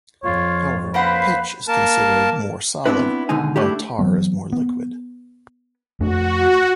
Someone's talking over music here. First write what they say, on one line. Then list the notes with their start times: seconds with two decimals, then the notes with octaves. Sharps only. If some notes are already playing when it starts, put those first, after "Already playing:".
However, pitch is considered more solid, while tar is more liquid.
0.24 F2 F4 C#5
0.94 A#3 C#4 B4 C5 F5 F#5 B5
1.68 A#3 A#4 A5
2.86 B3 C4 D4 E4 B4
3.29 D#2 B2 D3 G#3 D#4 G#5
3.56 A3 D4 E4 G4
3.99 E3 F#3 B3
4.52 B3
6.00 F2 A3 D4 F#4